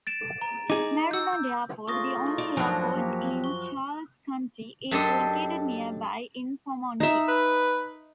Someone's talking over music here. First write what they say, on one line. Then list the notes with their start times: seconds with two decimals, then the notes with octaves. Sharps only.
Maryland Airport, the only airport in Charles County, is located nearby in Pomonkey.
0.07 A6 D7 E7
0.42 A#5
0.70 D#4 G#4 D6
1.11 E6 G6
1.33 G6
1.88 C#3 A3 F4 C#6 D#6 A#6
2.22 D#4
2.38 D5
2.57 F#2 A2 F3 F#3 A#3 D4 G#5 F#6
2.94 A#3 G4
3.44 C#6 G7
4.91 F#2 D4 G4 A4 D#5 C6
7.00 D#4 E5
7.28 B4